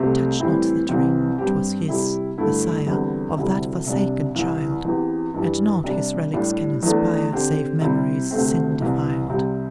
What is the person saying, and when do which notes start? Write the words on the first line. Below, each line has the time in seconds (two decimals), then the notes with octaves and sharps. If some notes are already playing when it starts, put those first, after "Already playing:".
Touch not that ring; 'twas his, the sire Of that forsaken child; And nought his relics can inspire Save memories, sin-defiled.
Already playing: C2 C3 A3 C4 G4
0.40 A2 E3 G3 C4 E4
0.89 C2 C3 E3 C4
1.38 G2 G3 C4 G4
1.88 C3 G3 E4 G4
2.38 G2 D3 A3 E4
2.87 E2 D3 G3 C4 E4
3.36 D2 C3 G3 E4
3.86 C2 C3 G3 D4
4.35 C2 C3 E3
4.85 E2 E3 C4 G4
5.34 G2 E3 G3
5.84 C3 G3 D4
6.33 A2 G3 D4 G4
6.83 E2 E3 A3 D4
7.32 D3 C4 G4
7.81 C3 G3 C4 E4
8.31 D2 C3 A3 C4
8.80 C2 C3 E3
9.30 C2 C3 G3 C4